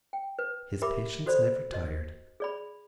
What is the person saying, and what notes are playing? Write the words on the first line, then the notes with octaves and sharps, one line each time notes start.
His patience never tired.
G5
B4
G4 A#4 E5 B5 D6
F#4 A4 C5 D5 B5
F#4 D#5
G#4 D5 B5